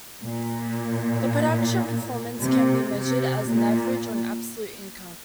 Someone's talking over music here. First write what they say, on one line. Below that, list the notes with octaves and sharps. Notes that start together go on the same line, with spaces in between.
The production performance can be measured as an average or an absolute income.
A#2
C3
C3
A#2